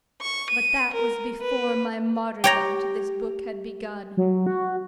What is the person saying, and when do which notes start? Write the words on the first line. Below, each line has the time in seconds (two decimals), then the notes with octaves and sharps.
But that was before my martyrdom to this book had begun.
0.21 C#6
0.50 D#7
0.93 A#4
1.41 B4
2.44 G4 C#5 A#5
4.17 F#3
4.46 F#4